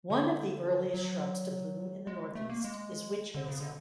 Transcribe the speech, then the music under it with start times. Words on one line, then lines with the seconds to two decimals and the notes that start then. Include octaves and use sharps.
One of the earliest shrubs to bloom in the Northeast is witch hazel.
0.10 D3
0.94 F#3
2.07 G#3
2.35 A3
2.50 A#3
2.64 G#3
3.35 D3
3.48 C#3
3.61 D3